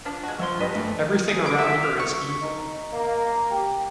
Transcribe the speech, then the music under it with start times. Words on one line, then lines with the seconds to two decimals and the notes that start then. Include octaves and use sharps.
Everything around her is evil.
0.05 F3 D4
0.24 G#3 F#4
0.39 F3 E5 C6
0.60 G2 D4 B4 D#5
0.75 E3 A3
1.28 G#4
1.46 D6
1.58 E5
1.83 F5
1.99 C#6
2.42 D#4
2.93 A#3
3.51 G4